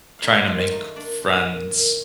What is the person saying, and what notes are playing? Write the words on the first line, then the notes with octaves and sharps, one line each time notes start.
trying to make friends
A3 D#4 D#5 F5
D#3 F4 F5
A3 D#4 D#5
A#3 D4 D5
A#2
A#3
D#3